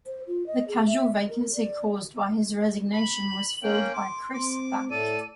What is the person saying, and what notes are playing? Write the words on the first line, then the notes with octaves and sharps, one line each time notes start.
The casual vacancy caused by his resignation was filled by Chris Back.
C5
F4
D#5
G#4
E5
D#5
A#4
D5
B5 F#7
A#3 C#4 G5
C6 D6
C4 D6
A2 A4 D5 D#7